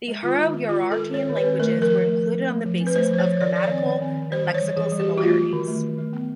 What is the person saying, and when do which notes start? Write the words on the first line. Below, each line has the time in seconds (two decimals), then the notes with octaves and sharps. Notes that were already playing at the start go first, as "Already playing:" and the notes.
The Hurro-Urartian languages were included on the basis of grammatical and lexical similarities.
0.08 G#3
0.23 D#3 F4
0.39 G#3
0.54 G#3
0.68 G#3 F4
0.84 D#3
0.92 A4
0.99 D#3
1.14 G#3 C#5
1.29 D#3
1.36 B4
1.44 C4
1.59 A3 A#4
1.75 F3
1.82 A#4
1.90 F3
2.05 A3
2.20 F3
2.35 A3
2.50 A3
2.65 F3
2.80 C4
2.87 B4
2.96 A3 C5
3.11 F3 C5
3.19 C#5
3.26 F3
3.41 D#3 D5
3.56 D#3 D5
3.64 C#5
3.72 C4
3.86 D#3
4.02 C4
4.17 D#3
4.32 G3 C5
4.47 E3
4.55 C#5
4.61 G3
4.77 E3 G#4
4.92 G3
5.00 G4
5.07 E3
5.18 F#4
5.23 A3 F4
5.38 F#3
5.53 D#3
5.68 A3
5.83 D#3
5.98 A3
6.13 B3